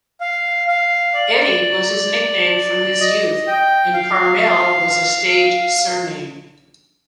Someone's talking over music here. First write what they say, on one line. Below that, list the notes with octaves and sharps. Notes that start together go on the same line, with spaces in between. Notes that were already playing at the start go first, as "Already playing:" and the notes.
"Eddie" was his nickname from his youth, and Carmel was a stage surname.
F5
F5
D5
D#5
G5
F5